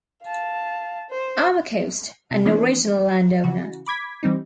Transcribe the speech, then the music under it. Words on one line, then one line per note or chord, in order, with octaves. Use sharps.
Armacost, an original landowner.
F5 A5
C5
C3
E3 F3 A#3 B3 C#4 D4
C#3 E3 F#4
B5 D6 G#6 B6
E3 G3 C4 D#4